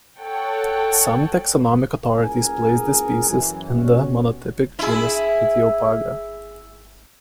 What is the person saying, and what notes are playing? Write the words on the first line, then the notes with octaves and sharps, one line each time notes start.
Some taxonomic authorities place this species in the monotypic genus Ichthyophaga.
A4 C#5 F#5 G5 A5
F#1 C#2 G#4 A#4 G#5
F#2 E3
B2 G3 C#4 F#4
E4 G#4